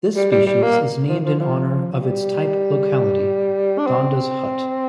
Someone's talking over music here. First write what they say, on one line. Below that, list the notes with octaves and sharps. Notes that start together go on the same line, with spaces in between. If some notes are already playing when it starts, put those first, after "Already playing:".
This species is named in honour of its type locality Dundas Hut.
G3
G3
G3
A#3
F3
F3
F3
F3
G3
D4
C4